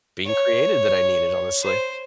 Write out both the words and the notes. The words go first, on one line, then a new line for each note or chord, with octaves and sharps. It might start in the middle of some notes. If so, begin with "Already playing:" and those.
being created, that I needed, honestly.
C#5
C5